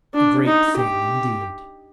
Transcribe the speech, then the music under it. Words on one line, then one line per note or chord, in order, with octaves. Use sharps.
A great thing, indeed.
D4
D#4
G4